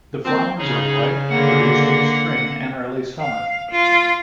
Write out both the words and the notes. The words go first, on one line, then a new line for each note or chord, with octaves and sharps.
The flowers are white, produced in spring and early summer.
F3 A#3 C4
C#3 D#4 G#4
D3 A#3 F#5
F5
F4